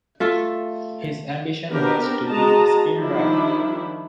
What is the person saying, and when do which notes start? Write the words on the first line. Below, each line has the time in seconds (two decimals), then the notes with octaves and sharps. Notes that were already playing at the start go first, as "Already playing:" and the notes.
His ambition was to be a screenwriter.
0.20 A3 F4 A4 E5
1.72 B3 C4 D4 G4 A#4
2.27 G#3 F#4 D#5 A5 A#5
2.97 D#3 F3 G3 D4 E4